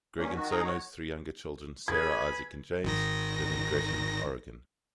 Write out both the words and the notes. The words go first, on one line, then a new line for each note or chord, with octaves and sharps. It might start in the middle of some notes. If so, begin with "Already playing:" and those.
Gregg and Sono's three younger children Sarah, Isaac, and James live in Gresham, Oregon.
G2 A#3 C#4
D#3 F#4
D#4 G#4 A#5
F#4 C#5
G#4 B4 G#5 B5 G#6
G#1 D#3 A#6